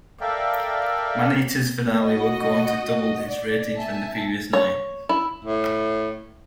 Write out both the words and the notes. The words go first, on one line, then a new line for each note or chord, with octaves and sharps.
Maneaters finale would go on to double its ratings from the previous night.
A4 A#4 D5 E5 F5 G5
F#4 D#5
D5
E5 G#5 A5
C#5
E4
A2